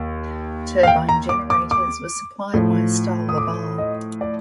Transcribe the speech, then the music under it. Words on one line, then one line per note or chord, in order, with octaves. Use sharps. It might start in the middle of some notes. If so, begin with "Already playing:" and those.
Turbine generators were supplied by Stal-Laval.
Already playing: D#2
F5
G5
A#5
D6
D6
D6
A2 F3
D#6
D6
D#5
D5